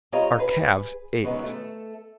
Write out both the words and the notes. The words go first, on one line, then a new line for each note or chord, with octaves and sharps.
Our calves ached.
G3 C4 F4 C#5 D#5 A#5
G#4 B4
D#3 E3 F#3 G#3 B3 C#4
A3 A4